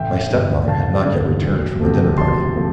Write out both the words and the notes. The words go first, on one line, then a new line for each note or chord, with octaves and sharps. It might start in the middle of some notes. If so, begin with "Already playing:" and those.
My stepmother had not yet returned from the dinner-party.
Already playing: A1 E5 G5
G2 D3
A1 F5 A5
G2 D3
E1
D2 C3 F3 A3
E1 A5 C6
C3 F3 A3